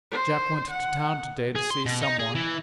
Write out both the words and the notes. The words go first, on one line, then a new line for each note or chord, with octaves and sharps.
Jack went to town today to see some one.
C5
F#5
G#4
C6
B2
D#4
G#4
E3